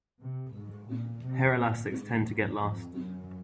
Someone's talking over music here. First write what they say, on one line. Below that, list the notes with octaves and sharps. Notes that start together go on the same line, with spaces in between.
Hair elastics tend to get lost.
C3
G#2
A#2
C3
A#2
G#2
G#2
F2
F#2